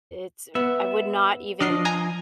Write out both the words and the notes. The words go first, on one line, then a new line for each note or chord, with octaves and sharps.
it's I would not even
B3 E5
F3 D4 D#5 F6 C7
G#5 A#5 D#6